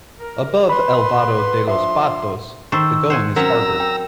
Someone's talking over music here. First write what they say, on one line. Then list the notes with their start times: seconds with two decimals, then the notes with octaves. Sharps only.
Above El Vado de los Patos the going is harder.
0.20 A#4
0.69 B4 B5 C6
1.68 F3 D4 E5 C6
2.72 D#3 A4 C5 C#6 E6
3.10 C5 F#5 G#5
3.36 F#3 C4 C#4 A#4 A#5 E6
3.80 A#4 G5